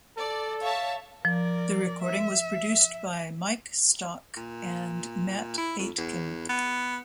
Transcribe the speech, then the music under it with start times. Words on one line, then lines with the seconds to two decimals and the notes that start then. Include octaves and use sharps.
The recording was produced by Mike Stock and Matt Aitken.
0.17 A4 D5
0.62 C#5 E5 F5 A5
1.25 F3 A#4 D5
2.02 E5
4.36 A#2
5.58 E4
5.79 F2
5.98 E2
6.49 B3